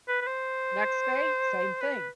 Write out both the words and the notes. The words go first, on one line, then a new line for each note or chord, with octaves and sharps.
Next day, same thing.
B4
B4
C5
B4